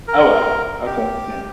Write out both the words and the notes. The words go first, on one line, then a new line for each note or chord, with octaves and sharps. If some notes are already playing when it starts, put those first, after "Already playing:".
Oh, wow. Okay, yeah.
A#4
G4